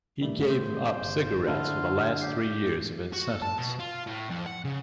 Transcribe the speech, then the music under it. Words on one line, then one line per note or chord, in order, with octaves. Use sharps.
He gave up cigarettes for the last three years of his sentence.
D#3 G3 A3
C5
G1
D3 E4 F4 A4 C5
G4 C7
F#4
A4
A5
B2
F4
A2
F2
F#5
C#3